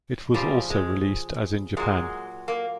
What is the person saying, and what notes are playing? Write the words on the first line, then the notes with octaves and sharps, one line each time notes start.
It was also released as in Japan.
C#3 F3 G3
G#3
A#2 F#3 G#3
A#3